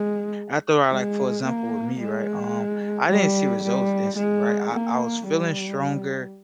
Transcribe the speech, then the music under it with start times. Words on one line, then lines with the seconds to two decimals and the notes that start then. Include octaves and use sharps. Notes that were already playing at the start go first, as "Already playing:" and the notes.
After I, like, for example, with me, right, um, I didn't see results instantly, right? I I was feeling stronger,
Already playing: G#3
0.91 G#3
1.45 A#3
2.00 G#3
3.09 G3
3.63 G3
4.17 G#3
4.72 A#3
5.27 G3